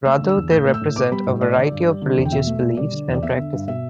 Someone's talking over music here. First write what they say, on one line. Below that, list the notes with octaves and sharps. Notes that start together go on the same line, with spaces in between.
Rather they represent a variety of religious beliefs and practices.
A3 E6
D3
E6
E2
A2 G6
A3
E6
A2
B3 D6
G3 B5
A2
A3 D5
D3
G2
G3
D3
E2
G5
B2 E5
A3
B2
G3 D5
D3
E2
D5
B3 E5
D3
G2
B2 E5